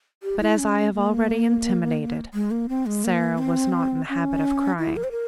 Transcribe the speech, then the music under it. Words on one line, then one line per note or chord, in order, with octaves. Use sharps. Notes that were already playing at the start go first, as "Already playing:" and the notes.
But, as I have already intimated, Sara was not in the habit of crying.
G4
E4
C#4
A#3
G#3
A#3
C4
G#3
A#3
C4
C#4
E4
A#4
C5
A#4